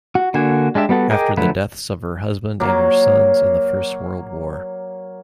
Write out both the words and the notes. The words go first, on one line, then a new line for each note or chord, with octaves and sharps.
After the deaths of her husband and her sons in the First World War.
F#4
D3 A#3 D4 F#4 G#5
G#3 D4 G4 E5
G3 B3 F#4 A4
G#4 A#4 D#5 G5 D6
D3 F3 F#3 A3 B4
F#3 A#3